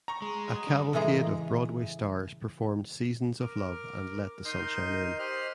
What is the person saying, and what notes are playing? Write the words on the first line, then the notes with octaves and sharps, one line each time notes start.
A cavalcade of Broadway stars performed "Seasons of Love" and "Let the Sunshine In".
G5 A#5 C#6
G#3
F#3 G#4
F#2 G3 D4
A2 C#3 E3 G#3 A#5
A#4 D6
D#4 A#4 D#5 C6 G6
G4 C5 D#5 C6 F6 F#6